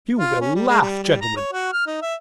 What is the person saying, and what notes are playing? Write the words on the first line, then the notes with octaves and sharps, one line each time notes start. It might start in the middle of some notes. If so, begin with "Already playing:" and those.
You will laugh, gentlemen.
F4
C#4
G3
G#3
G3
G3
A#5
C#5
F#4
F6
D#4
E5